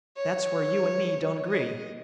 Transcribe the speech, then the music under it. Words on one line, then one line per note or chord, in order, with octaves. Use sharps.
That's where you and me don't agree!
C#5
D#5